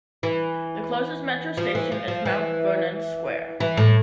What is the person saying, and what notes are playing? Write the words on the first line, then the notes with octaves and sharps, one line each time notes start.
The closest Metro station is Mount Vernon Square.
E3
F3
E3
F3
F3
E3
E3
A2